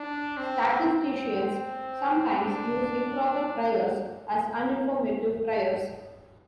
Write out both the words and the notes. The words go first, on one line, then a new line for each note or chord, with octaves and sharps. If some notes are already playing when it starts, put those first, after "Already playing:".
Statisticians sometimes use improper priors as uninformative priors.
Already playing: D4
C4
C4
D4